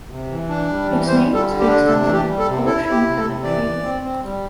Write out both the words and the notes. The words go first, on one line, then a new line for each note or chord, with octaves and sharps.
Its name was based on that of the Polish independent trade union.
C3
E3
D4
G3
E3
G3 C5
G3
A4
D3
G4
D4
C3 A4
E3
G4
G3
A4
C3
E4 A4
E4
G4
C3
A4
C3
E3 D5
E3
C4
C4
G3